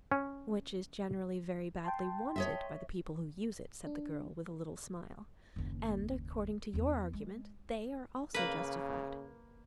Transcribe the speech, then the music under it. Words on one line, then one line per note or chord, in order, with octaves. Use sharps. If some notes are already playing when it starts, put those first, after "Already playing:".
"Which is generally very badly wanted by the people who use it," said the girl, with a little smile, "and, according to your argument, they are also justified."
C#4
G5 A5 C6
C#5 D#5 E5
D4
F#1 D#2
E2 C4
G#3
C#3 A#3 B4